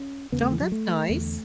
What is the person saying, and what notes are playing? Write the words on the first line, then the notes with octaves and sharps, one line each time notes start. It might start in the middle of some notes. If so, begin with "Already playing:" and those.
Oh, that's nice.
Already playing: C#4
E2 C#3 B3
A3
E3
F#3
A3
E2 D3